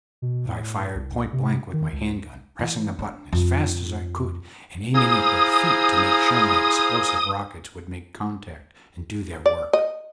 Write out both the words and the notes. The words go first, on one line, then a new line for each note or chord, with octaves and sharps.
But I fired pointblank with my hand-gun, pressing the button as fast as I could and aiming at their feet to make sure my explosive rockets would make contact and do their work.
B2
A2
C2
C3
D#3
C#2
E3
D4
F2
E4 G#4 C5 F5 G#5 A#5 D#6
D5
D#5